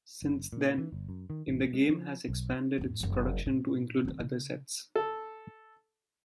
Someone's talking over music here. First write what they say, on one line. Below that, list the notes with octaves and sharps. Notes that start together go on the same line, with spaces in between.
Since then, In The Game has expanded its production to include other sets.
F#1
A#2
E3
G1
F#2
D#3
A1
G#3
F3
B1
F2 A2
F#1 F2
A2
D3 C4
C#3
A4